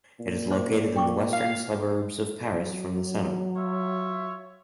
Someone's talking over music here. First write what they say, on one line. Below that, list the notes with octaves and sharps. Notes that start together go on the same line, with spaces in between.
It is located in the western suburbs of Paris from the center.
A#2
C#4 C5 D6
G5 C#6 D6
F5
F#3
F4 C#5 E5